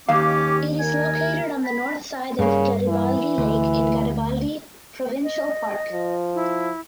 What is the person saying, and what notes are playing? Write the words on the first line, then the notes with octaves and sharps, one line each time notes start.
It is located on the north side of Garibaldi Lake in Garibaldi Provincial Park.
D#2 C#4 G4 F5 D6
A#4 G#5
B5
G2 C#3 A#3
E3
D2
D#5
F3
E4